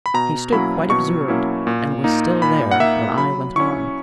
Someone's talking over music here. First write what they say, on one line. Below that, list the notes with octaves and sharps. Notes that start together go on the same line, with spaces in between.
He stood quite absorbed, and was still there when I went on.
B5
B2 A#5
F#3 A#3 C#4 E4 B5
B2 C#6
F#3 A#3 C#4 E4
A#2
A#3 D#4
A#2 B5
F#5
A#3 D#4 E5
F#3 B5
C#4 E4 C#6